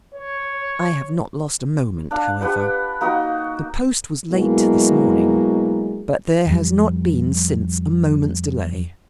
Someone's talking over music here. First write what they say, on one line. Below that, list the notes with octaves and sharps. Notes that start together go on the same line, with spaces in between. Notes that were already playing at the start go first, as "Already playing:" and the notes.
I have not lost a moment, however. The post was late this morning, but there has not been since a moment's delay.
C#5
D4 F5
G4 B4 F#5
A#3 D#4 F#4
B2 F#3 G#3 A#3 E4 F#4
F2 G3